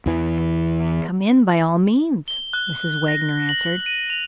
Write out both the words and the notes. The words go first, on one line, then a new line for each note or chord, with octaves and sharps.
"Come in by all means," Mrs. Wagner answered.
E2 E3
G7
F#6
A#6
F#7
D#7
F7